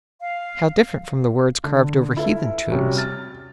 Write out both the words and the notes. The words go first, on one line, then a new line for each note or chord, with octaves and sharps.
How different from the words carved over heathen tombs!
F5
D3
E4 F4 A4 B4
C3 G3 C#4 F#4
F6 A6